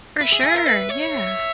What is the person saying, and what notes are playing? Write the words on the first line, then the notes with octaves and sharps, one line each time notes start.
For sure, yeah.
B4 E5
G#4
G#4
A#4
B4
C#5
E5